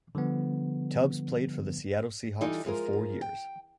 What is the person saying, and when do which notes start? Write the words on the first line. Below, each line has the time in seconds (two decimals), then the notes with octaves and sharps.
Tubbs played for the Seattle Seahawks for four years.
0.15 D3 F3 G3 B3
2.41 E3 G3 D#4 F4 A4
2.65 F3 G#3 F4 A#4
3.21 G5